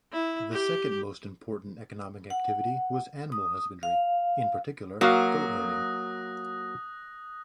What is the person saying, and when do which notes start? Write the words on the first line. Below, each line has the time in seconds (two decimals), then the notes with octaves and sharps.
The second most important economic activity was animal husbandry, in particular, goat herding.
0.13 E4
0.52 G4
2.30 F#5
3.32 D#6
3.83 F5
5.01 F#3 A#3 F#4 F5 D#6 F#6 A#6